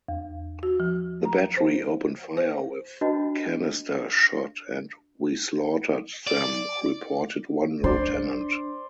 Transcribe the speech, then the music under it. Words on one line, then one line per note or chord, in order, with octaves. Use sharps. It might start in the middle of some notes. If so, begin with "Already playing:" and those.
The battery opened fire with canister shot and "we slaughtered them" reported one lieutenant.
E2
F#4
F3
A#5
C5
C5
D4 F#4 B4 D#5 A5 B5
D5
D4 C5 D5